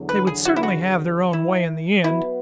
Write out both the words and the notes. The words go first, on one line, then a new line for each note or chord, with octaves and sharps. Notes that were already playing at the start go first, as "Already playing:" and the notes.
They would certainly have their own way in the end.
Already playing: E2 D3 F#3
B4
G#4
F#4
E4
F#4
E4
F#3 B3 E4 F#4 B4